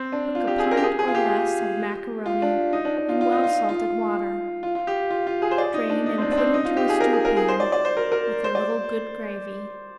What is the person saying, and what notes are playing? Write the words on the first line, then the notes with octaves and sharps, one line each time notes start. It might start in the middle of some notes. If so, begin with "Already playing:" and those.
Cook a pint or less of macaroni in well salted water; drain and put into a stew pan, with a little good gravy.
Already playing: C4
D4
F4
G4
G#4
A#4
G4
G#4
G#4
F4
G4
F4
D4
D#4
D4
D4
F4
F4
D#4
F4
F4
F4
F4
G4
F4
F4
G#4
C5
D5
D#4
D4
D#4
C4
D4
D4
C4
D#4
F4
G4
G#4
A#4
G#4
A#4
G#4
C5
D5
D5
C5
A#4
A#4
C5
D5